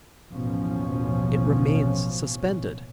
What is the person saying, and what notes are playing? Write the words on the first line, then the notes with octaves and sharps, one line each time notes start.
It remains suspended.
A1 D#2 B2 F3 C#4